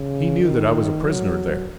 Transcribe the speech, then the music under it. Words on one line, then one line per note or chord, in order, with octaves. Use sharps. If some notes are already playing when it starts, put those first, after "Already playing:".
He knew that I was a prisoner there.
Already playing: C#3
D#3
F#3